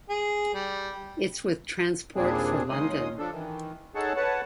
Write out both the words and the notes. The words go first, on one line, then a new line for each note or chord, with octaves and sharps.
It's with Transport for London.
G#4
G3
D#2 A#2 G3 C4 D4 G#4
D#2 G#3 C#4 D#4 C6 D#6
F3 D4 A4
D#3 E3
D#4 G#4 A4 C#5 F#5 A5
B4 C#5 F#5 A5